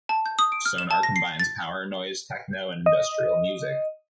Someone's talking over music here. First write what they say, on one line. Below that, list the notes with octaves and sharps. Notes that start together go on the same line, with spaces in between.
Sonar combines power noise, techno, and industrial music.
A5
G6
D#6
D7
F6
E7
A5
A#6
C7
A6
D#5